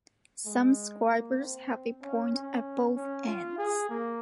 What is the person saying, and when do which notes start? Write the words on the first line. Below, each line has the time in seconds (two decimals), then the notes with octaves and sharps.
Some scribers have a point at both ends.
0.46 G#3
1.08 A#3
1.39 C4
2.01 C#4
2.33 C#4
2.95 C#4
3.26 F4
3.58 G#4
3.89 A#3